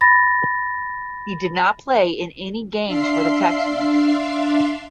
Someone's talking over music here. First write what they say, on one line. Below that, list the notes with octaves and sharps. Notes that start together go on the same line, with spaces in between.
He did not play in any games for the Texans.
B5 A6 A#6
D4 E5 F5 C6 C7